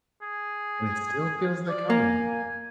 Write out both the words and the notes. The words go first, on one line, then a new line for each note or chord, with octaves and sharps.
And it still feels like home.
G#4
D5
A#3 G#5